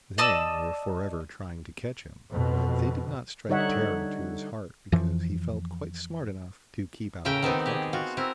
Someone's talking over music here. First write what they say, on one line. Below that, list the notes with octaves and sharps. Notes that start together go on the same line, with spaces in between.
They were forever trying to catch him, but they did not strike terror to his heart because he felt quite smart enough to keep out of their clutches.
D5 D#5 A5 E6
F2 B2
D3 G3 D#4 C#5 E5 F#5
F2 E3 F3
A2 C#3 A#4 E5 G5
D#3 B3 C4 D#4
G4 G#4
F4 F#4
C4 E4 A#4